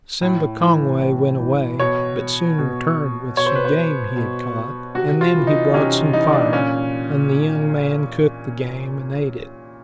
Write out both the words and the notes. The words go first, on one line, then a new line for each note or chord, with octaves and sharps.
Simba Kongway went away, but soon returned with some game he had caught, and then he brought some fire, and the young man cooked the game and ate it.
A2
E3
A2
E3
B2 C#5
B2
B2 C#5
C5
B4
C5
B2
C3 F#4
F4
E3
D#4
C3 C#4
E3 D#4
D4
A#2 C#4